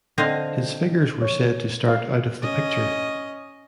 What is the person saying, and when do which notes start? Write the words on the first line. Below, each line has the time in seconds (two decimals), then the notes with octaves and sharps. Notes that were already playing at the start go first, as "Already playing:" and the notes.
His figures were said to start out of the picture.
0.18 D3 C4 D#5 F5
1.22 C#5
1.88 F5
2.42 C#4 D#5